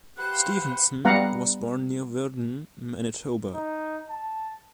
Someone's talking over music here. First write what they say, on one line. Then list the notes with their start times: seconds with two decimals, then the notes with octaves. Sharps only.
Stevenson was born near Virden, Manitoba.
0.18 G4 B4 C5 F5 F#5 F#6
1.05 G3 B3 F5 F#5 A#5
3.55 D#4
4.10 A5